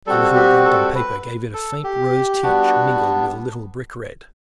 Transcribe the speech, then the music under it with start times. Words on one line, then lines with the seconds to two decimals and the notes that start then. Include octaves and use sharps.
A little rubbed on paper gave it a faint rose tinge mingled with a little brick-red.
0.06 G3 C4 F#4 A4
0.36 G4
0.65 A4
0.95 B4
1.54 A4
1.84 G4
2.43 G3 B3 D4 F#4